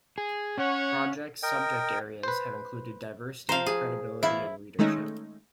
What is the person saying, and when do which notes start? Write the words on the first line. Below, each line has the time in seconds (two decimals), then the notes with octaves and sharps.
Projects subject areas have included diversity, credibility and readership.
0.18 G#4
0.58 C#4 C#5 F#5
1.43 A#4 D#5 G5
2.23 B4 C5
3.49 F3 C5 F5 A#5
3.66 G#4
4.23 E2 E4 E5 F5
4.79 D#3 G#3 A3 C#4 D#4